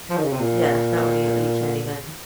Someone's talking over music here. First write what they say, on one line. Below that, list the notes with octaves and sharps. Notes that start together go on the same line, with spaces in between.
yeah, not when you you can't even
F3
D#3
C#3
C3
A#2